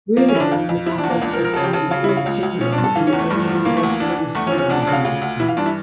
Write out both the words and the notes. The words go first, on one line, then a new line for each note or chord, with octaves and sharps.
Runan was part of the Huaiyang Kingdom in early Western Han dynasty.
F3 A#3
C#4
F3 E4
D4
F2 F4
F2
F3 E4
D4
E2
A#3
C#2 D4
A#4
F3
A#4
C#3 A4
G4
C#3 A4
C#3 F4
C#3 E4
F4
C#2
C#2
F3 C#4
D4
G2
A4
E3 F4
C#4
E2
A3
G2 A3
F3
E3 A#3
A3
D2
A#3
E3 D4
E3
E2 A3
C#4
F3
C#4
D2 D4
D4
C#3
F4
D2 F4
D2
E3 E4
F4
G2 D4
E4